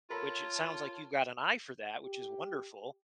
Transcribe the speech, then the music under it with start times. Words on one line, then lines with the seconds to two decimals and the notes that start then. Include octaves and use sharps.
which it sounds like you've got an eye for that, which is wonderful.
0.10 F4 A4 A#4 C#5 A5 B5
2.03 G4